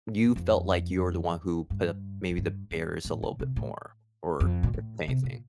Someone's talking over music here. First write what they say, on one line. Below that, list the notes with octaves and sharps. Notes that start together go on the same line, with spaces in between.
you felt like you were the one who put up maybe the barriers a little bit more, or if anything.
F2
G2
F2
G2
G2
A2
D3
C3
A2
F2
A#2
A2
C3
A#2